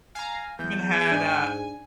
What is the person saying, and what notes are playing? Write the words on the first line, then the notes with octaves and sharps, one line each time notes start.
even had a
F5 G#5 A#5
E2 G6
G#2 D4 G#5